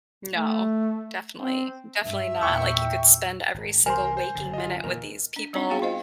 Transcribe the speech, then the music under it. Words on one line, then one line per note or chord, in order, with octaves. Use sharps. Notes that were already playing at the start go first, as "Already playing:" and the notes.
No. Definitely. Definitely not. Like, you could spend every single waking minute with these people
A3
C4
G2 E5
E2 A#2 G5 C#6 E6
G#1
C2 E3 A#4 C5 G#5 C6
C5
F#1 D3
F4 D#5
D#2 A#2 E3 A#4
D4
G3 C4 D4 D#4
B3 F#4 G#4 F5 G5
F4 C5 D#5 F5